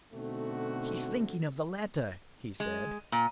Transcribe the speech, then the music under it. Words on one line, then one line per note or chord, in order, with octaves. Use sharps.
"She's thinking of the letter," he said.
B2 D3 A3 C4 D#4 F#4
G#3
A#2